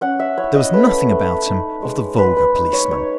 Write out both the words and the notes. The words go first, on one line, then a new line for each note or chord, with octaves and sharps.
There was nothing about him of the vulgar policeman.
C#4 F#5
E5
E4 C#5
D#5
A3 B4
A3
D#4
G#3
G#3 B4
B4
D#4
C#5
D#4 C#5